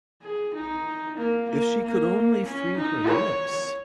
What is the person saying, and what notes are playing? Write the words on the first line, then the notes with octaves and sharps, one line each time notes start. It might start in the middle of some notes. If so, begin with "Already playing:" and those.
If she could only free her lips!
G#4
D#4
A#3
A#3
A#3
C#4
D#4
C#5